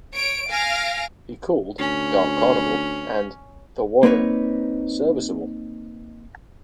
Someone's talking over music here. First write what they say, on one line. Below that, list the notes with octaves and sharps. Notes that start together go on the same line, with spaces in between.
He called "Dark Carnival" and "The Warren" "serviceable".
C#5 D7
F5 G#5 F6 A#6 D7
D2 C#4
A#3 C4 D#4 B4 C#5